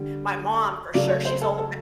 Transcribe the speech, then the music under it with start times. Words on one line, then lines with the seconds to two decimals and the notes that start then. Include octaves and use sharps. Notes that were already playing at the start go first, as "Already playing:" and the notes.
My mom, for sure, she's ol eh
Already playing: D3 G3
0.94 C#3 F#3 A3 D5
1.09 C#5
1.25 C5
1.42 A4
1.58 A4